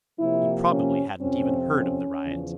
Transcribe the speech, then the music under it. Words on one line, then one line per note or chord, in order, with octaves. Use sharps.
He probably hadn't even heard of the riot.
C3 F3 A#3 E4
C#4
F2 C3 F3 C4 C#4
C#4
E2 C#3 F3